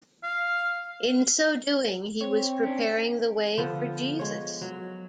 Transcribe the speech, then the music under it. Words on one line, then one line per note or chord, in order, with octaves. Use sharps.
In so doing he was preparing the way for Jesus.
F5
C4 C#5
C#4 D4
D3 F3 B3
G#3 C#5
F#3